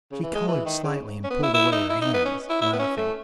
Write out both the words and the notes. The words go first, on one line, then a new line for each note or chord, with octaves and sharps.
She coloured slightly and pulled away her hands, laughing.
C#3
E3
G#3
E3
D#3
C#3
C#4
B3
E4
E4
D#4
E4
D#4
B3
C#4
E4
E4
B3
C#4
A3